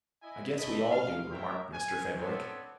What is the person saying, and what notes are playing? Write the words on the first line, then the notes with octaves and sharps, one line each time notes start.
"I guess we all do," remarked Mr. Fenwick.
E4 D#5 G#5
A3 D#5 B5
F5
A3 A#4 C#5 E5 G5 A#5
G#5
B3 C4 D4 A4 C#5